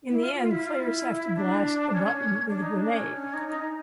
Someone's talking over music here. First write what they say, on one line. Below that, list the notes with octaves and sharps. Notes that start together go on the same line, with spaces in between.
In the end, players have to blast a button with a grenade.
E4
F4
F4
E4
F4
E4
D4
C#4
D4
D#4
D4
C#4
C#4
D#4
D#4